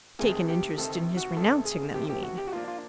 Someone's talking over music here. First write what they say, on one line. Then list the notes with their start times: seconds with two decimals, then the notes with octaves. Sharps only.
"Take an interest in his renouncing them, you mean?"
0.19 D2 C3 D#3 G#4
0.49 G4
0.78 D2 C3 D#3 A4
1.17 F#4
1.36 D2 C3 D#3 A4
1.65 G#4
1.94 D2 C3 D#3 G4
2.09 G4
2.23 F#4
2.38 G4
2.47 F#4
2.53 F3 A#3 D4 F4
2.68 F4